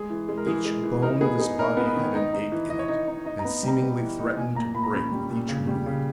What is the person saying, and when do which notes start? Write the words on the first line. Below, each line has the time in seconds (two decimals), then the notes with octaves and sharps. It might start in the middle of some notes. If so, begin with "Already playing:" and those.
Each bone of his body had an ache in it, and seemingly threatened to break with each movement.
Already playing: G#3 G#4
0.10 E3
0.29 G#3
0.37 A#4
0.47 E3 G#4
0.65 G#3
0.84 E3
1.02 D#4 A#4
1.21 B3 G#4
1.40 D#4 G#4
1.58 D#4 A#4
1.77 B3
1.86 B4
1.96 D#3
2.15 D#4
2.33 D#4
2.52 E3
2.69 E3 D#5
2.79 C#5
2.88 D#4 D#5
3.08 D#4
3.25 D#4 D#5
3.39 A#5
3.45 B3
3.63 G3 A#5
3.82 B3
4.00 E3
4.19 D#4
4.37 A#2 G#5
4.55 A#2 A#5
4.74 A#2 B5
4.83 A#5
4.93 C#4 B5
5.11 G3
5.30 A#2
5.49 C#3
5.67 G3
5.86 C#3